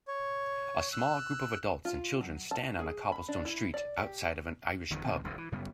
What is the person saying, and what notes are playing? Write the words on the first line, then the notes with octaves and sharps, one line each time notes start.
A small group of adults and children stand on a cobblestone street outside of an Irish pub.
C#5
E6 F#6
F4
F#3
A5
G#4
B5
D4
E4
D5
G4
G1 E2 G2 D#3
B2 D#3 C4
E1 C2 G2 D3
E3
F#2 C#3 G3 B3